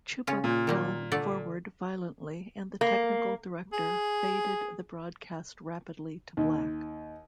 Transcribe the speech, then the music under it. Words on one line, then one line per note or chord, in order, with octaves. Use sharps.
Chubbuck fell forward violently and the technical director faded the broadcast rapidly to black.
C#3 C#4 F4
A#2
D#3 G3 A#3
D3 A3 D5
A#3
G#4
D#2